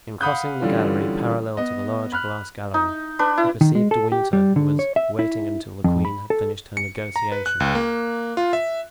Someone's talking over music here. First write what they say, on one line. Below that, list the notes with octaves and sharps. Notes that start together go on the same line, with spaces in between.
In crossing the gallery parallel to the large glass gallery, he perceived De Winter, who was waiting until the queen had finished her negotiation.
F5 F#5 B5 D#6 F#6 G6
D3 E3 G3 C#4 F4
B3 D#5
B5 F6 F#6
D#4
D4 B4
E4
D#3
G#3
A4
G4
G3
D3
C#5
E5
E4
F2
B5
A4
C#7
A#5
B4
F#6
C#2
A#3
F4
E5